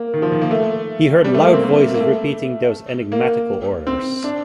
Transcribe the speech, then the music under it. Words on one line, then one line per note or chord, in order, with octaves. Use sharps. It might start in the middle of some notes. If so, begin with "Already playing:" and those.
He heard loud voices repeating these enigmatical orders.
Already playing: A#3
D#3
F3
D#3
A#3
A3
G3
A3
A#3
C4
A#3
A#3
A3
A#3
C4
D4